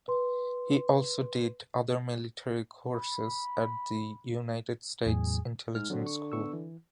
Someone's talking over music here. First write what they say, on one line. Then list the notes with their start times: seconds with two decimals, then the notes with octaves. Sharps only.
He also did other military courses at the United States Intelligence School.
0.08 B4 C6
2.94 B5
5.06 E2 A2 F#3 G#4
5.75 G#2 F6
5.90 D3 F#3 C4 F#4
6.06 C#6
6.32 B3 C#6 E6
6.53 E3